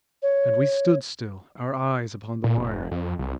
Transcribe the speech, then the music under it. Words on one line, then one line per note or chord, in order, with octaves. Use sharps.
And we stood still, our eyes upon the wire.
C#5
A#2
F1
F2
F2
C2